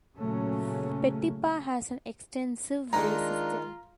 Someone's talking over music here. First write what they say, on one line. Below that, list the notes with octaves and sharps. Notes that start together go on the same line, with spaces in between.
Petipa has an extensive ray system.
A#2 C#3 F#3 A3 C#4
D#3 G#3 D4 D#4 F4 A#5